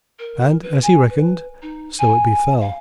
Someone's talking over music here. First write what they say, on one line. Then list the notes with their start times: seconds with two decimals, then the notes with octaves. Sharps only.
And as he reckoned so it befell.
0.19 A#4
0.62 B4
0.82 G#5
1.09 B4
1.61 D#4
1.98 G#5
2.60 F5